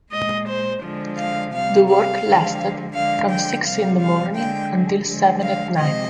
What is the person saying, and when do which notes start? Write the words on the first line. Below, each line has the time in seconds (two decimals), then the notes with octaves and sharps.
The work lasted from six in the morning until seven at night.
0.12 A#2 G#3 D#5
0.48 C5
0.83 D3 F3 G#3
1.18 F5
1.54 C3 G3 F5
1.89 F5
2.25 D3 F3 G#3
2.95 D3 F3 G#3 F5
3.30 G5
3.65 C3 G3 F5
4.01 F5
4.36 D3 G#3 G5
5.07 D3 F3 G#3
5.42 F5
5.77 C3 F3 G#3 D#5